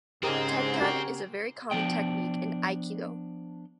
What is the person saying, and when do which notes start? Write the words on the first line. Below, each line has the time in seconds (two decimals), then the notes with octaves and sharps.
Tenkan is a very common technique in aikido.
0.23 G#2 C#3 C4 G4 G#4 A#4 D#6
0.81 F#4 G4 A#4
1.71 F3 B3 D4 G5